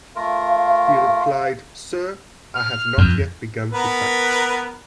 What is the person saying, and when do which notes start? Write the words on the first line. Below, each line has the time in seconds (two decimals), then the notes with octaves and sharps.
He replied, Sir, I have not yet begun to fight!
0.16 A3 F4 A#4 F5
2.54 F6
2.98 F2
3.73 B3 A#4 B4